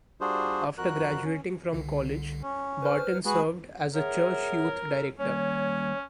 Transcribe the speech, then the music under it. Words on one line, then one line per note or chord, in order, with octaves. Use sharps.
After graduating from college, Barton served as a church youth director.
G3 D4 F4 F#4 G#4 C5
F2 F#4 A#4 F#6
C#4
C2 D3
C#4
B4 C5 F6
G#3 F#4 G#4 B4
G#4 A#4 C#5 E5 F#5
A4
D#3 G3 A#3 C#4 C#5